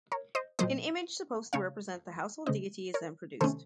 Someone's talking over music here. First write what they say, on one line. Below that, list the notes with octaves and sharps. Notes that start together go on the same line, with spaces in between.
An image supposed to represent the household deity is then produced.
A#4 C#5
C5 D#5
A#2 F#3 A#3 C5 D#5
C#3 A3 C#4 C#5 F5
C#3 A3 C#4 C5 D#5
A#4 C#5
C3 D#3 A3 C#4 A4 C5